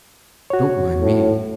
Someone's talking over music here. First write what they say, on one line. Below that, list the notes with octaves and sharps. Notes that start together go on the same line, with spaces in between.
"Don't mind me."
F#4 C#5
A2